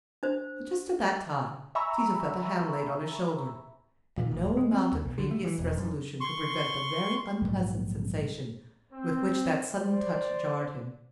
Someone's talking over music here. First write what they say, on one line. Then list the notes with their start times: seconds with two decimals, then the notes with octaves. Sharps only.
But just at that time Tito felt a hand laid on his shoulder, and no amount of previous resolution could prevent the very unpleasant sensation with which that sudden touch jarred him.
0.23 D4 C5
1.75 E5 G#5 A#5 B5 C#6 E6
4.18 A#2
4.31 A1
4.44 D#1
4.57 G#3
4.72 C4
4.92 D#2
5.05 B1
5.18 D3
5.31 A3
5.44 E3
5.58 E1
5.78 F#2
6.20 C6 C#6
7.41 A#1 G#2 F#3 G3
8.93 C4
9.79 C5 D5